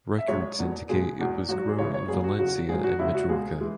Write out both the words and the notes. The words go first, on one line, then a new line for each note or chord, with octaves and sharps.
Records indicate it was grown in Valencia and Majorca.
E5
B1 B2 G#3 C#5
E1 E2 B2
B1 B2 G#3 G#4
E1 E2 B2
G#1 F#2 F#3 F#4
F#4
G#4
C#2 C#3 E3 G#3 C#5
C#5
F#1 F#2 F#3 G#4
F#4
E2 C#3 F#3 F#4
G#1 G#2 F#3 G#4
F#4
E2 C#3 G#3 E4
F#4
C#2 B2 G#3 G#4
E3 G#3